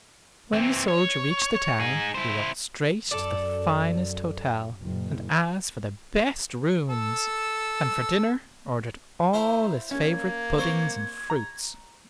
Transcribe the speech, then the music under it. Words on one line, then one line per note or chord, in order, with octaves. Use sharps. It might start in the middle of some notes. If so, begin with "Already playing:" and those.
When the soldier reached the town he walked straight to the finest hotel, and asked for the best rooms, and for dinner ordered all his favorite puddings and fruits.
E3 C4
C#5
D#4 G#4
E4 C5
F#2 A4 D5
F#1 A#2
A4 E6
E4 C5 F5 A#5
A#3 C#4 G#6
C4 C5 D5 C#6
A#5